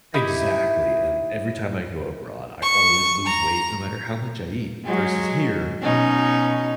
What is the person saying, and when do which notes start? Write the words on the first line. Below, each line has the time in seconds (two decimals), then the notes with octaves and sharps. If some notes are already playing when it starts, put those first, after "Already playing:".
Exactly, and every time I go abroad, I always lose weight no matter how much I eat versus here,
0.14 D#4 E4 G4
2.63 C#6
3.26 A#5
4.85 F#3 G#3
5.82 B2 C#4 D#4